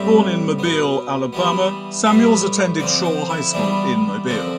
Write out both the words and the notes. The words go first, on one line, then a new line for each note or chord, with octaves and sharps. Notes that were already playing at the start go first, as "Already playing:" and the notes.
Born in Mobile, Alabama, Samuels attended Shaw High School in Mobile.
Already playing: A2 G3 C4 E5
B2 B3
E3 G3 B3
A2 G3 B3 E5
D3 F3 C4 D5
C5
E4
E3 G3 B3 D4
D3 F3 C4